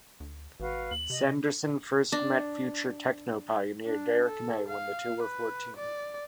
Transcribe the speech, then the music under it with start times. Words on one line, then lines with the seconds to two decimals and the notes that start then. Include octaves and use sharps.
Saunderson first met future Techno pioneer Derrick May when the two were fourteen.
0.20 D2
0.60 G#1 F#4 B4 F5
0.91 D#2 F#7
1.10 C3 D#5
2.12 D4
3.86 D4
4.26 A4
4.68 F5
5.22 B4
5.76 D5